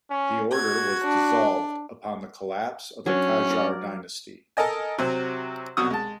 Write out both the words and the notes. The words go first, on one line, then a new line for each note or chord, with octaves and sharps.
The Order was dissolved upon the collapse of the Qajar dynasty.
C#4
F#4 G#6
D4
F#3 C#4 D4
A#4 D5
A4 A#4 D#5 G#5
C3 F#3 C4 F#4
C2 B2 F#3 C#6 D#6
G#3 A5